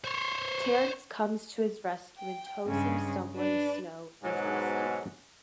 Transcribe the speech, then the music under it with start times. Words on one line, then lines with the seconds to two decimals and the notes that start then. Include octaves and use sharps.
Terence comes to his rescue and tows him somewhere the snow is less deep.
0.04 C5 C#5
2.18 G5
2.66 G2 C#3 G#3
3.34 D4 B4
4.23 G#2 B2 F#3